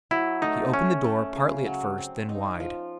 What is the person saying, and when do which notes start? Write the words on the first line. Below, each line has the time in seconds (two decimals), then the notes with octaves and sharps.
He opened the door, partly at first, then wide.
0.11 F#3 E4
0.42 A3 D#4
0.74 A3 C#4
1.04 A3
1.36 C#3
1.66 F#3
1.98 C4
2.29 D#4
2.60 F3